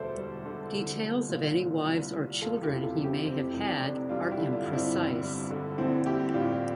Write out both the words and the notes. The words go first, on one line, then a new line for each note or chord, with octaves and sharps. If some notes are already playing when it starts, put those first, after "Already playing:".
Details of any wives or children he may have had are imprecise.
Already playing: E1 D2 D3 G3 A4 C5 D5 E5
G3
D3
C2
G3
A#2
C2
C2
G3
F1 F4 A4
E4 G4
C3
F4 A4
F2
E4 G4
F1 C4 E4
F1
D4
C3
G3 D4 F4
E4 G4
D3
D4 F4
G2
C4 E4
G1
G3
D3
A#1 C4 E4
G3 E4 G4
A2 D4 F4